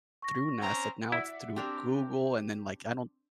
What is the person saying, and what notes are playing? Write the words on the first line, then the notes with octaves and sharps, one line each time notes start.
through Nest, eh, now it's through Google, and then, like, I don't
C#6 A#6
C4 C#4 A#5
E4 D5 E5 F#5
C4 D4 G4 A#4